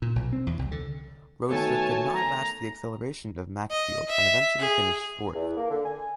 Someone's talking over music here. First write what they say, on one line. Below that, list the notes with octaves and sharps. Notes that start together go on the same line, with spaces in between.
Roadster could not match the acceleration of Maxfield and eventually finished fourth.
A#2
B1
C4
E2
C2
D3
D#3 A3 B3 F#4 C#5 G#5 A5
A#5
D#5
E5
G#4
E2
A#3
D3
G#5